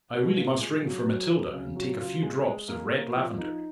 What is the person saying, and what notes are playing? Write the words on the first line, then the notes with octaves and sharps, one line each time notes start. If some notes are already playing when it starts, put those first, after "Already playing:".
I really must ring for Matilda, and take a few drops of red lavender.
B2
A#2
G#3
F#3
F#3
F#3
C#3
F#3
F4
G#3
G#3
A#3
A#3
F3
D#4